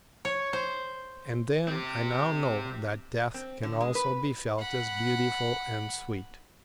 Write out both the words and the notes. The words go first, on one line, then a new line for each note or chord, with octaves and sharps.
And then I now know that death can also be felt as beautiful and sweet.
C#5
C5
C4 G4
C4
D3
G#3
B4
F#5 B5